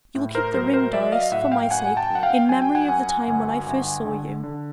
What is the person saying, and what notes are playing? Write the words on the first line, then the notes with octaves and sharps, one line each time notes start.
"You will keep the ring, Doris, for my sake, in memory of the time when I first saw you?"
A2
A#4 C5
F#3 A#4 C5
A#4 C5
F#3 D5 E5
D#5 F5
A2 E5 F#5
F5 G5
F#2 F#5 G#5
G5 A5
F#2
F#5
F5 G5
F#3 G#5
G5
F#5 G#5
F#2
G1
G1
D3
D3